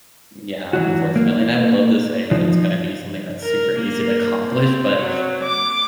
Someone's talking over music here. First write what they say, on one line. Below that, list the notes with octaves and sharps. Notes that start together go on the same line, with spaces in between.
Yeah, unfortunately, and I would love to say that it's gonna be something that's super easy to accomplish, but
E3 F#3 F#4
A#3
F3 D#4
A#4
A#3
C4
F#3
D6